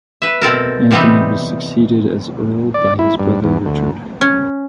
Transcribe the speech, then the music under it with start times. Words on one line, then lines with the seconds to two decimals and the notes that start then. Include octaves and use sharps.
Anthony was succeeded as earl by his brother, Richard.
0.22 B4 E5
0.41 B2 C4 A4 A#4
0.91 C3 E3 G3 B3 C4 D#4
2.74 D5
2.99 E4
3.20 G2
3.44 E2
3.65 D2
4.21 C#4